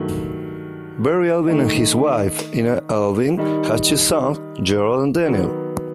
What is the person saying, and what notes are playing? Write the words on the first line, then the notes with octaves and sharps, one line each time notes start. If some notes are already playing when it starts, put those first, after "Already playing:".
Barry Albin and his wife, Inna Albin, have two sons, Gerald and Daniel.
Already playing: G2 D#3 F#3 A3
D#3 A3 D#4
D#3 G3 D#4
D#3 F#3 B3